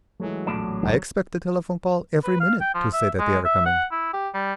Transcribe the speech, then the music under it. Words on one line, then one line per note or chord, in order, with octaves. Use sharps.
I expect a telephone call every minute to say that they are coming.
E3 F#3 G#3 A3
A#1 E2 A2 A3 D4 E7
F#1 F#2 D#3
B4
F5
G5
F3
E5
G#3
E5
F#5
E4
G4
G3